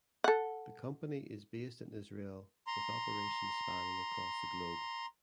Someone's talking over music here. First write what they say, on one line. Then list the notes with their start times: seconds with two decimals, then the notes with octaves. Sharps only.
The company is based in Israel with operations spanning across the globe.
0.24 A4 F#5
2.67 A#5 C6